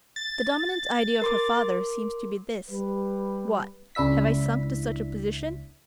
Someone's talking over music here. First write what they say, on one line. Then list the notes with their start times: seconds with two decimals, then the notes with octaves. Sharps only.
The dominant idea of her father seems to be this: 'What, have I sunk to such a position!
0.16 A6
1.22 A#4 C6 D6
2.69 G3 B4
3.95 C#2 D4 E4 E5 B6